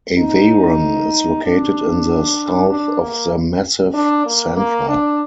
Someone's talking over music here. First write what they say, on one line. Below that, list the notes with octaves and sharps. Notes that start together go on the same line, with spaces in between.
Aveyron is located in the south of the Massif Central.
D#4
D4
D4
A#3
D4
A#3
A#3
D4